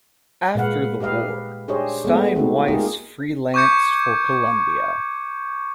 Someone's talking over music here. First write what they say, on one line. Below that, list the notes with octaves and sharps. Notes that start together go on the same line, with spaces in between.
After the war, Steinweiss freelanced for Columbia.
A#2 G#3 B4 F5 F#5
G4 B4 D#5 F5
D4 G4 G#4 C5 C#5 D#5
G#3 A3 B3
A3 C4 D#4 F#4
G#3 A#3 D#4 F4 G4 G#4
C#6 D6 G6 G#6 C#7